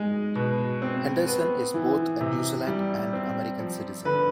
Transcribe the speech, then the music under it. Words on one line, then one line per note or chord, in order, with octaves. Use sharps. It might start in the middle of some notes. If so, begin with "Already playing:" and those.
Henderson is both a New Zealand and American citizen.
Already playing: G#3 D#4
B2
C4
B3
E3
C3
G3
C4
F3
D3 B4